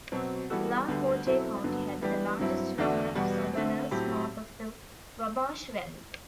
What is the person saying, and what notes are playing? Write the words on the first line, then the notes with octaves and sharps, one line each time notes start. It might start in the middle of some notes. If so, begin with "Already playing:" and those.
LaPorte County had the largest number of Southerners north of the Wabash Valley.
B2 F#3 C4
E3 G3 B3 F#4 A4
D2 D3 G3 B3
B2 F#3 C4 E4 A4
G2 D3 F#3 B3
E3 G3 B3 D4 G4
G2 F#3 C4 E4
E2 D3 A3 D4 F#4
E2 B2 G3 B3 F#4
D3 A3 C4
A2 F#3 C4 G4